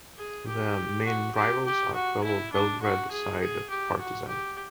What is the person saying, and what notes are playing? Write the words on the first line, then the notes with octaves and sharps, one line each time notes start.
Their main rivals are fellow Belgrade side Partizan.
G#4
G4
F#4
G4
G4
F#4
E4
D4
F#4
G#4
G#4
G4
F#4
G4